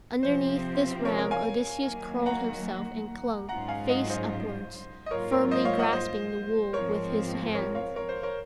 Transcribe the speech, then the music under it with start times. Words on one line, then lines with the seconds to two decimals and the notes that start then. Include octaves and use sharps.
Underneath this ram Odysseus curled himself, and clung, face upwards, firmly grasping the wool with his hands.
0.23 C3 F3 C4 C5
1.05 A#4 C#5
1.17 A#4 C#5
1.31 F5 G#5
1.86 D#3 F#3 A#3
2.26 F#5 A#5
3.49 G#2 F#3 C#4 F4 F#5 A#5
3.68 F5 G#5
3.89 D#5 F#5
4.10 C5 D#5
5.06 D#5
5.11 G#2 F#3 A#3 F4 A#4 C#5
5.31 A#4 C#5
5.51 C5 D#5
5.65 C#5 F5
5.79 D#5 F#5
5.92 C5 D#5
6.73 G#2 F3 G#3 C4 A#4 C#5
7.55 A#4 C#5
7.75 C#5 F5
7.96 A#4 C#5
8.09 C5
8.23 A#4 C#5